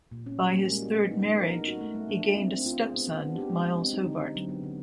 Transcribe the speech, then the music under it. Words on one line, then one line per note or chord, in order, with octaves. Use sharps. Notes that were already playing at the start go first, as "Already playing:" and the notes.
By his third marriage he gained a stepson, Miles Hobart.
A#2
C#4
G3
A#3
G#3
F#4
B3
D#4
B3
A#4
D#4
F#4
A3
A3
D4
F4
C4
C4
F4
G#4
B3
B3
D4
G4
G#3
G#3
C4
D#4
D3
D3
F#3
B3
D3